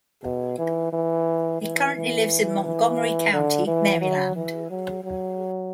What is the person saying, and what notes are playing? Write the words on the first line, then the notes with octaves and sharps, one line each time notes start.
He currently lives in Montgomery County, Maryland.
B2
E3
E3
E3
E3
E3
D3
E3
F#3
E3
F#3
F#3